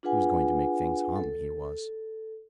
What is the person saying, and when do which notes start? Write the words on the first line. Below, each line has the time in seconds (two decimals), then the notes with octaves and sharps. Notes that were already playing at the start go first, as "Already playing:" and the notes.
He was going to make things hum, he was.
0.03 D4 F4 G#4 B4 F#5 G#5
1.16 A4